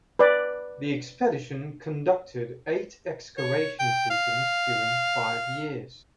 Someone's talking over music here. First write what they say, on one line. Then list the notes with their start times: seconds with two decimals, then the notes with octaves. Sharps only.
The expedition conducted eight excavation seasons during five years.
0.19 B4 D5
3.38 C#5
3.79 G5
4.10 F5